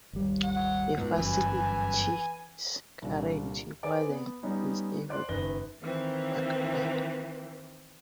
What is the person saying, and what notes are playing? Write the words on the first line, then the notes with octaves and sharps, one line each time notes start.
The facility's current warden is David Berkebile.
G#1 D#2 G3
F#5
C#2 G#2 B2
G1 F#2 E3 G#5
C2 A#2 D3
G#4 B4 C5 D5 G#5 D6
B3
G3 B3 C#4 D#4
C5 D5 C6 F#6
F#1 D#3 B4 F#6 A#6 G7
D#3 E3 A#3 C4